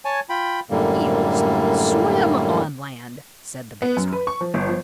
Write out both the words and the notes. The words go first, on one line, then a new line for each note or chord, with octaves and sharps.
"Eels swim on land," said the biggest one.
C#5 G#5 A5
F4 G5 B5
F#2 A2 D3 G3 A#3
B3
F#2
B4
C#6
F3
G1
F3